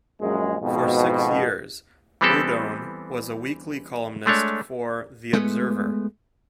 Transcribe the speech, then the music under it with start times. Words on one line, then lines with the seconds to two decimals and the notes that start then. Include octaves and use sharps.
For six years Odone was a weekly columnist for "The Observer".
0.20 A#1 F#2 G#3
0.61 F2 G#2 B2
2.21 E3 G3 B3 C4 G4 A4
4.26 G#3 A3 D4 C#5
5.33 G#3 A3 B3